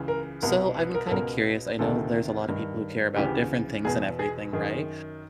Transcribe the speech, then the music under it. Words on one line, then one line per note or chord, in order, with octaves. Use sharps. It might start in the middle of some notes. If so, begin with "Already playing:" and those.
So, I've been kinda curious. I know there's a lot of people who care about different things and everything, right?
Already playing: C#2 C#3 E3
A#4
C2 B2 A#4
B4
A#4
A4
C#2 B2 A#4
D2 C3 D#3 A4
G2 D#3
D2 C#3 E3 G4
E2 B2 G#4
G#4
F#2 D#3 G#4